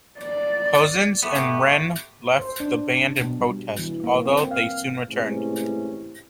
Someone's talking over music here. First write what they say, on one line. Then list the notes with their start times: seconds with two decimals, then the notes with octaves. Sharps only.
Couzens and Wren left the band in protest, although they soon returned.
0.19 D5
1.23 A3 B3 G4
2.39 C5
2.60 D4
3.19 B2
3.40 G3
3.79 E3
4.04 A#3
4.26 C4
4.51 F5
5.09 A2 C3 E3 G#3 C#4